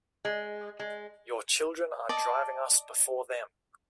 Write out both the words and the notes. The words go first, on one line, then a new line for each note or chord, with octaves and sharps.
Your children are driving us before them.
G#3
G#3
D5 D#5 A5